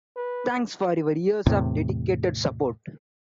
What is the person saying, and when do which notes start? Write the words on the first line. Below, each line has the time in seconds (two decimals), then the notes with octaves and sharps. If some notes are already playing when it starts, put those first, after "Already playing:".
Thanks for your years of dedicated support.
0.16 B4
1.46 E2 A2 C3